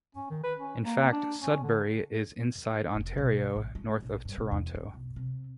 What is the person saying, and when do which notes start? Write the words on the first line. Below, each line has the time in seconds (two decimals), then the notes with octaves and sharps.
In fact, Sudbury is inside Ontario, north of Toronto.
0.15 C#4
0.30 D#3
0.43 B4
0.59 C#4
0.85 A#3
1.12 D4
1.42 C#4
1.63 D3
2.94 F1
3.18 B1
3.56 A1
3.75 G#3
4.03 A#1
4.25 G2
4.38 C3
4.51 E2
4.75 D#4
4.94 B1
5.16 C3